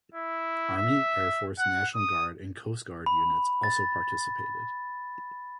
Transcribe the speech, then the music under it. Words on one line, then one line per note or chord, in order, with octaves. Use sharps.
Army, Air Force, National Guard and Coast Guard units also participated.
E4
E5
F#5
D#6
B5
A6